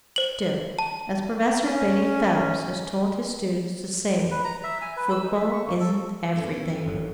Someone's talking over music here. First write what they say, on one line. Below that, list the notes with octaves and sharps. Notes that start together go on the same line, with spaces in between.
Still, as Professor Billy Phelps has taught his students to say, football isn't everything.
C5 F#7
A5
C#4
B4
A#5
E5
G#5
B4
E6
D#4
E5
C#6
A#3
A4
B2 B3 C#4 A4
F#2 F3
A1 G#2 F#3